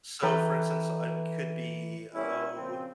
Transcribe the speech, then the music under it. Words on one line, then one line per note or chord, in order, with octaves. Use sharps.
so, for instance, I it could be, oh,
E3 A4 B4 G5 A#5 F#6
G3 B3 C#4 D4 E4
C#3 F3 C4